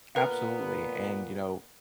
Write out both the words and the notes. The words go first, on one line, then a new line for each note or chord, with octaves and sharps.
Absolutely, and, you know,
A#2 B3 A#4 B4